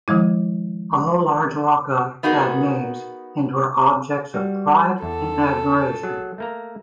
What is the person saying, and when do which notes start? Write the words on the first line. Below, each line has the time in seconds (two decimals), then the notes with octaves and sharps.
All large waka had names and were objects of pride and admiration.
0.08 D#3 F3 G#3 E4
2.23 B3 D#4 F#4 G#4 A#4
4.34 G3 F#4
5.02 E2 A4
6.03 F#3 G#4
6.38 A3 A#3 A#5